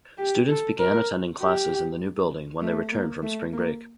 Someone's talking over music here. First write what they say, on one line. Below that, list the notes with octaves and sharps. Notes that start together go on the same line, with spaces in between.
Students began attending classes in the new building when they returned from spring break.
G4
A4
A#4
G4
A3
A#3
A3
A#3